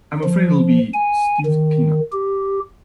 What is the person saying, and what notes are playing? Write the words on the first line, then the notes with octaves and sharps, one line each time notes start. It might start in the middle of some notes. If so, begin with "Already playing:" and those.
I'm afraid it'll be Steve Tina.
F3
G#5
D#3
G4